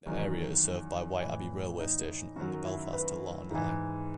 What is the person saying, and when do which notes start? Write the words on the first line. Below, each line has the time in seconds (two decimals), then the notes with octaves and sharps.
The area is served by Whiteabbey railway station on the Belfast to Larne line.
0.06 E2 D#3 F#3
1.21 A2 E3
1.79 D#4
2.36 F#2 D#3 F#3 F#4
2.65 E4
2.93 B4
3.51 G#2 E3